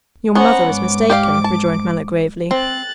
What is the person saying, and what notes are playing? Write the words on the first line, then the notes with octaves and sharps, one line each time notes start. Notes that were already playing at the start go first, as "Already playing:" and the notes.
"Your mother is mistaken," rejoined Mallow gravely.
B3 C#4 C5 F#5 A#5
G#2 D6
G4 D5 F5
A5
C4 F#6 A6